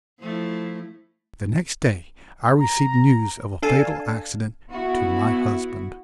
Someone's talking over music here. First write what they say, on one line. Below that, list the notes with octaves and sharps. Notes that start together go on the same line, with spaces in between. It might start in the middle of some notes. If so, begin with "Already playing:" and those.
The next day I received news of a fatal accident to my husband.
F3 A3 E4
A#5
D4 A4 F5 G#5 A5
B3 E4 F#4